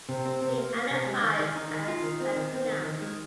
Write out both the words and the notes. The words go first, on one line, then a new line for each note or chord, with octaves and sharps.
She identifies as Latina.
C3
C4
C3
A#3
A#3
C3
G#3
D#3
D#3
D#4
D#3
F4
D#3
C4
D#3
C4
D#3
D#3
G#3